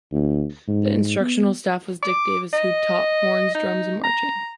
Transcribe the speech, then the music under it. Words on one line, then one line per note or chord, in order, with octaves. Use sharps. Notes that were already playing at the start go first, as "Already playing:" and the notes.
The instructional staff was Dick Davis, who taught horns, drums, and marching.
D2
G#2
B3
D6
D#5
D#4
A#5